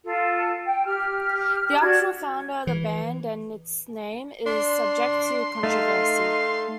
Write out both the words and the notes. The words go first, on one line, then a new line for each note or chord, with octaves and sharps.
The actual founder of the band and its name is subject to controversy.
F4 A4
G5
G4 F6
D4 F#4 D5 G#6
E3
D4 C6
A3 D#4 F5